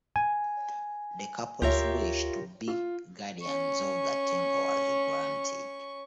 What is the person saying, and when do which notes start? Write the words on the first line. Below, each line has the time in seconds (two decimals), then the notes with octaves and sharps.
The couple's wish to be guardians of the temple was granted.
0.16 G#5
1.62 D2 F4 G4 A#4 C#5 E5
2.68 F4
3.42 C#4 C#6